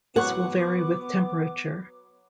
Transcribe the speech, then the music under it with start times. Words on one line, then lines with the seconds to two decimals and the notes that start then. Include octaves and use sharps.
This will vary with temperature.
0.16 F#3 B3 F#5 C#6 D6 F#6